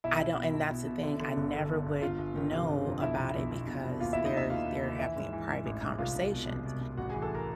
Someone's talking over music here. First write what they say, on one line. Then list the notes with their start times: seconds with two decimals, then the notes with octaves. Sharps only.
I don't and that's the thing, I never would know about it because they're they're having private conversations.
0.04 B1 E4 E5
0.21 B2
0.37 B2
0.54 B2
0.70 B2
0.87 B2
1.03 D3
1.20 D3
1.37 G1
1.53 D3
1.69 D3
1.86 G1
2.02 G1 F4 F5
2.19 G1
2.35 D#3
2.52 C3
2.69 G1
2.85 F2
3.01 B1 E4 E5
3.18 B2
3.35 B1
3.51 B1
3.68 B2
3.84 B2
4.00 D#2 F4 F5
4.13 D#2 E4 E5
4.25 D#4 D#5
4.34 D#2 E4 E5
4.50 D#2 F4 F5
4.66 D#2
4.83 D#2
5.00 E3 E4 E5
5.17 G#2
5.33 E3
5.49 G#2
5.66 A1
5.83 G#2
5.98 C2 F4 F5
6.15 C2
6.32 B2
6.48 C2
6.65 C2
6.81 C2
6.97 A1 F#4 F#5
7.10 E3 G#4 G#5
7.22 A4 A5
7.35 A#4 A#5